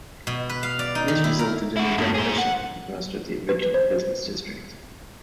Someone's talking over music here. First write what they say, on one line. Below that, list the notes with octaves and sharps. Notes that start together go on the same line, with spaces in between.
This resulted in the demolition of most of the original business district.
B2
B4
F5
D5
D#4
D#3
E4
A#4
E4 F#4
G2 B2
G#4 C5
F#5
B4
C5